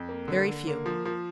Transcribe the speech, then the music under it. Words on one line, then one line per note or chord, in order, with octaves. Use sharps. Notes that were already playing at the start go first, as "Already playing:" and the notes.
"Very few."
Already playing: F2
A#3
D3
D3
A#3
F3
F3